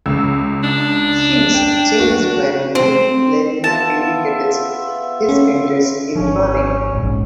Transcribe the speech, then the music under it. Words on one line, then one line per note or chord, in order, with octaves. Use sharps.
Things changed when Neil Blaney indicated his interest in running.
C#2 E6
D4
G5
F#4
C4
B3 F4 E5 A5
C#4
G#1 F3 C#4
E1 A#1 G#2